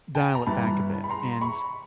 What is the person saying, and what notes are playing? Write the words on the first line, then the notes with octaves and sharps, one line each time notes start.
dial it back a bit." And
G5 A5
A#5
G2 E3 A5 B5
B5
A#5 C6
B5 C#6